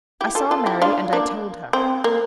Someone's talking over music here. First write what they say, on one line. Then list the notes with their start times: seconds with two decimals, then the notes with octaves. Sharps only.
"I saw Mary, and I told her."
0.21 E4 G4
0.35 F4 A4
0.51 F4 A4
0.66 E4 G4
0.82 D4 F4
1.13 A#3 D4
1.73 C4
2.04 A#3